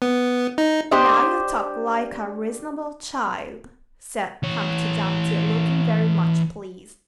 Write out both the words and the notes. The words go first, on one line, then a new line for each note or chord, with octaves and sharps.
'Now you talk like a reasonable child,' said Humpty Dumpty, looking very much pleased.
B3
D#4
D4 G4 C5 D5 D#5
E3 C#5